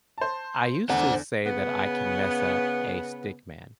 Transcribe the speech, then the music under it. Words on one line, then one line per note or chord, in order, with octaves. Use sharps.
I used to say that I can mess up a stick man
C5 A5
E2 D3 C5 F#5
C#3 B3